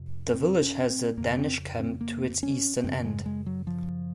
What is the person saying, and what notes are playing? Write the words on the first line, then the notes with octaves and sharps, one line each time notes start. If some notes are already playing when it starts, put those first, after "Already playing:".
The village has a Danish Camp to its eastern end.
Already playing: F2 C3
C4
C#4
C4
F2 C#3 A#3
C4
C4
A#3
C#4
F#2 C#3 C4
G#3
G#3
F#3
F3